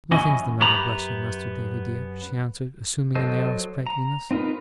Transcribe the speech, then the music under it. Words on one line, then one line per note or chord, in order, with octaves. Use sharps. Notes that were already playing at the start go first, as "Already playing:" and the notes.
'Nothing's the matter, bless you, Master Davy dear!' she answered, assuming an air of sprightliness.
F#2 E3 C#4 E4 D#5
F#2 B3 G4 A#5 B5
F#3 A4 C5 D#5
A#5
C4 D#4 F4 A#4 B4